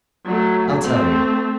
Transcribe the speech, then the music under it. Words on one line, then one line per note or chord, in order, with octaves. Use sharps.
I'll tell you.
F#3 A3
A3 C4